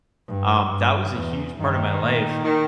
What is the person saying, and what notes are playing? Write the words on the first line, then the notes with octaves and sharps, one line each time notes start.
um, that was a huge part of my life,
G2
G2
E2
G2 D#3
A#2
D#3